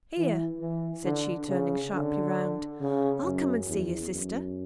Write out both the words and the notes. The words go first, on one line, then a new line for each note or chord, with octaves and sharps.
Here,' said she, turning sharply round, 'I'll come and see your sister.
E3
E3
D3
C#3
D3
C#3
F#2
E2
F#2